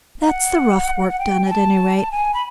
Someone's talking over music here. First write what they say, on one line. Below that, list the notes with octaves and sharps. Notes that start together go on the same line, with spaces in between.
"That's the rough work done, at any rate."
F5
F#5
F#5
G5
G#5
A5
G#5
B5